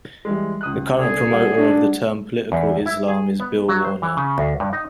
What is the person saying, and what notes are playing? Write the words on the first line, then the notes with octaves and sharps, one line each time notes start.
The current promoter of the term Political Islam is Bill Warner.
E3 G3 G#3
C#2 D#6 F#6
C2 D3 G#4
G3 F#5
D4
E2
E4
G#4
B3
F#3
C5
E3
C#3
D2
G2
D#4